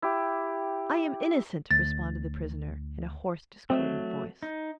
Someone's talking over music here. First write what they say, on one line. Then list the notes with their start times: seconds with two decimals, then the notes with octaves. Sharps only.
"I am innocent!" responded the prisoner, in a hoarse, discordant voice.
0.02 E4 G4
1.71 D2 A6
3.70 F#3 A3 C4 D#5 E5
4.42 D#4